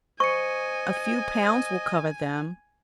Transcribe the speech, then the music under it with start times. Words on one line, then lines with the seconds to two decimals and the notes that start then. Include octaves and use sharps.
A few pounds will cover them.'
0.20 C5 D#5 G#5 C#6 C#7